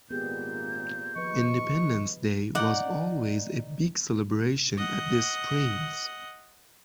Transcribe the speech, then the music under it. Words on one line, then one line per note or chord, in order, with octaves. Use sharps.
Independence Day was always a big celebration at the springs.
G#1 A#2 B3 G4 G#4 G6
D#2 F3 B4 D#5 C#6
D#4 D5 F#5
D#5 F#5